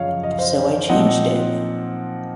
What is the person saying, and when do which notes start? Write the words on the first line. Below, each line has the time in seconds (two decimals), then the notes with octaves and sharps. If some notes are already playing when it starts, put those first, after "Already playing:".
So I changed it.
Already playing: F#2 C#3 F3 C#5 D#5 F5
0.23 D#5
0.31 F5
0.38 C5 D#5
0.89 A#2 F3 C4 D#4 D#5 F#5